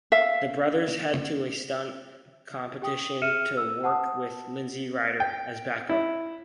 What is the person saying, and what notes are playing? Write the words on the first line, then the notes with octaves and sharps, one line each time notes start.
The brothers head to a stunt competition to work with Lindsay Rider... as backup!
E5 F5
G4 G5 D#6
G#4 E5 F6 C#7 D#7 E7
E6
F#5 A5 D#6
G5
E4